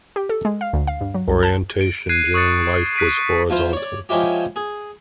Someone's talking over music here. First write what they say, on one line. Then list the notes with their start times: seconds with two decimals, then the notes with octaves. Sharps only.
Orientation during life was horizontal.
0.16 G4
0.29 A4
0.45 G#3
0.61 F5
0.73 D2
0.87 F5
1.01 G2
1.14 F#3
1.28 C2
1.43 A5
1.81 D7
2.09 F#6 G#6 C7 D#7
2.34 C#6 D#6 F#6 A6 C#7
2.96 F#6 B6 D7 D#7
3.50 F3 E4 F4 C5
3.73 C#5 D5
4.09 F3 G#3 C#4 E4 G4
4.56 G#4